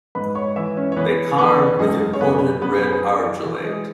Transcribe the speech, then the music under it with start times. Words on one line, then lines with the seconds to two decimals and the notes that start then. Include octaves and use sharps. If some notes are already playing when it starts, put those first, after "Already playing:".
They carved with imported red argillate.
0.15 G#2 B4 B5
0.35 C#5 C#6
0.56 E3 E4 E5
0.77 C#4 C#5
0.92 C#5
0.96 E3 B3 B4
1.38 E2 B3 B4
1.79 F#2 G#3 G#4
2.13 C#5
2.20 F#2 B3 B4
2.61 F#2 B3 B4
2.82 B3 B4
2.92 G#4
3.02 F#3 F#4
3.23 E4
3.43 E3 F#4
3.65 G#3 G#4